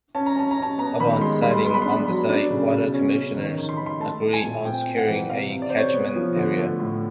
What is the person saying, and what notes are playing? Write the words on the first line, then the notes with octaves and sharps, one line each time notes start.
Upon deciding on the site, water commissioners agreed on securing a catchment area.
C#4 A5
A#5
C#4 A5
A#5
C#4 A5
B3 A#5
D#3 B5
G#3 C6
G3 B5
C6
B5
B3 C6
B5
C6
D4 B5
F#3 B5
D4
C#3
B2
C#4
C#4
D#3
D#3
C6
D#3 B5
C6
A3 A5
A3
G#5
A#2
C4 G5
C4
F#5
E3
C3 F5
C3
D5
C5
C3
C#5
B3
F3
D3
A3
A2